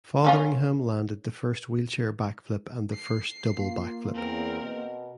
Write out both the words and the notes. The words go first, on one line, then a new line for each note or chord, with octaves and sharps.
Fotheringham landed the first wheelchair backflip and the first double backflip.
A#3 C#4 F4
C7
A#3 F4
E2 C4 A#4
B2